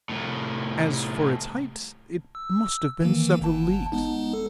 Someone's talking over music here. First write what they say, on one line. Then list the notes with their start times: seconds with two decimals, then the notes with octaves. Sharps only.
As for its height, it must have been several leagues.
0.09 C2 A2
2.35 E6
3.00 D#3 E3 A#3
3.41 G1 A5
3.92 G#3 B3 D#4
4.33 A4